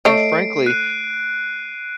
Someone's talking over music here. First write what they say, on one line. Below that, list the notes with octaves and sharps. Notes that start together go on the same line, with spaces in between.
and frankly,
A3 C#5 D#5 C7 D7
F#6 D#7